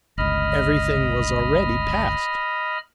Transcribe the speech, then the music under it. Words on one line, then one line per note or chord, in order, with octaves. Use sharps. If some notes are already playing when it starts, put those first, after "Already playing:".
Everything was already past.
G1 C#2 D#5 B5 F6